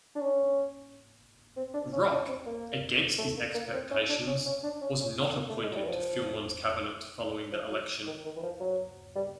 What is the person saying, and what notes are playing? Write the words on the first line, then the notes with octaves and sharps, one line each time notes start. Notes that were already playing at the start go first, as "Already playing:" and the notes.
Roch, against his expectations, was not appointed to Filmon's cabinet following the election.
D4
C#4
C4
D4
C#4
C#4
C4
A#3
A3
A#3
A#3
C4
C#4
D4
C#4
C#4
D4
C#4
C#4
A#3
A3
G#3
F#3
G3
E3
F3
F3
F#3
D#3
D#3
E3
F3
F#3
G3